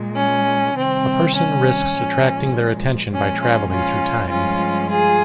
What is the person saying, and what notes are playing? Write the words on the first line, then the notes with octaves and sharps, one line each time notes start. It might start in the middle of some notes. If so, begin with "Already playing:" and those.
A person risks attracting their attention by travelling through time.
Already playing: A#2 G#3
C#4
C3 D#3 G3 C4
C#4
A#2 F3 G#3
A#2 F3 G#3 C#4
C#4 F4
C#4 F4
G2 F3 G#3 C#4 F4
F4 G#4